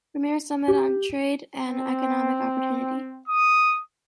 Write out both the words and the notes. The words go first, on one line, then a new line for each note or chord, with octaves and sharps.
Premier's Summit on Trade and Economic Opportunity.
G4
C4
D#6